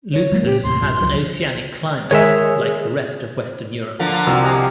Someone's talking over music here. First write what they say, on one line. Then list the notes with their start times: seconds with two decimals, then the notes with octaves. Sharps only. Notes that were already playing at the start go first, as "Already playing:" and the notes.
Leuchars has an oceanic climate, like the rest of Western Europe.
0.13 C#5
0.32 F#3 G#3 A#3
0.45 A#2 C#3 G4
0.64 D#2 A2 C3 C6
0.81 A#1 G2 F3
0.98 C#2 F3 F#3
2.11 D#3 G#3 G#4 C#5 E5
3.99 D3 F3 A#3
4.27 C2 F#4 C5 F5 F#5 A#5 E6
4.44 C3 D#5 G#5 A#5